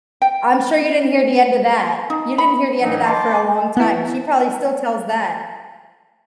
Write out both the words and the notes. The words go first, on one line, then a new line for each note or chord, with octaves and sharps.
I'm sure you didn't hear the end of that. You didn't hear the end of that for a long time. She probably still tells that.
G5
D#4
B5
A2 E3 F#3 C4 D4 D#4
D#5 G5 A5 B5 C6 D6
B3 E4